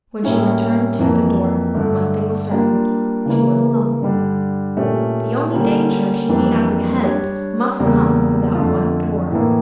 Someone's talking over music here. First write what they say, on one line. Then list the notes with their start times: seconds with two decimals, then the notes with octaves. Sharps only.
When she returned to the door, one thing was certain, she was alone. The only danger she need apprehend must come through that one door.
0.23 A2 G3 A#3 C#4 E4
0.99 F2 E3 A#3
1.74 G2 D3 A3
2.50 G3 A#3 D4 F4
3.26 C#3 E3 A#3
4.01 G2 D3 G3 D4
4.77 A#2 A3 C#4 G4
5.53 D3 G3 A#3 C#4
6.29 F2 E3 G3 A#3 D4
7.04 G3 D4 G4 C#5
7.80 E2 C#3 G3 A#3 D4
8.55 F2 D3 A3 D4 F4
9.31 A2 E3 A#3